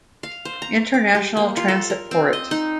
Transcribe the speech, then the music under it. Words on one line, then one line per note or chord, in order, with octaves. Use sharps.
International transit port.
F5
C5
A#5
D6
G4
A#3
F4
A4
A#4
C4
D#5
D#4